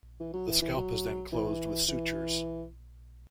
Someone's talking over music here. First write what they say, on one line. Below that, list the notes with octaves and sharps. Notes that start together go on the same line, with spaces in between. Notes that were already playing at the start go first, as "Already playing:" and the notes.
The scalp is then closed with sutures.
E3
F#3
E3
E3
F#3
E3
E3